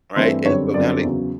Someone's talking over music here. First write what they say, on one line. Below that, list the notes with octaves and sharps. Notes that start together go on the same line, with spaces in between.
right, and so now they
G2 E3 A3 C4 C5
F#2 D3 G3 C4 C#5
F#2 D3 G3 C4 D5
E2 C#3 F#3